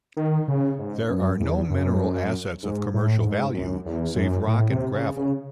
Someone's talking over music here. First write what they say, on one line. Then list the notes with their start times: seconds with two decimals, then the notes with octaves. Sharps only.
There are no mineral assets of commercial value save rock and gravel.
0.17 D#3
0.48 C#3
0.79 G#2
1.09 F#2
1.40 E2
1.70 F#2
2.63 G#2
2.94 A2
3.24 G#2
3.54 F#2
3.85 E2
4.16 F#2
4.47 A2
4.70 C3
4.93 C#3
5.16 C#3